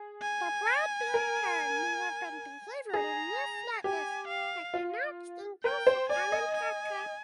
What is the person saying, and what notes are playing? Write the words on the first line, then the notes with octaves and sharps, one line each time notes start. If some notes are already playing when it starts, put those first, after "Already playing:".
The broad-billed parrot may have been behaviourally near-flightless, like the now-extinct Norfolk Island kaka.
Already playing: G#4
G#5
A#4
G#4 A#5
G4 G#5
F5
F4
A#4 G5
C5
D5 G#5
D#5
G#5